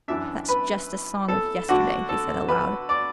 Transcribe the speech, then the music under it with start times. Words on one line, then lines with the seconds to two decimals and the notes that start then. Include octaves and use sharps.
"That's just a song of yesterday," he said aloud.
0.08 F#2 E3 D4 E5
0.49 B4
1.28 A4
1.69 D3 A3 D4 F#4
2.09 A4
2.48 B4
2.89 D5